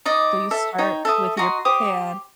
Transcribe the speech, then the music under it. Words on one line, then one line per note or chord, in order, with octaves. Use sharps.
So you start with your pan,
D#4 D5 D#5
A4 E5
D#4 C#5 G5
A4 E5 D#6
F#4 D#5 A#5 C6
G4 C5 D6 D#6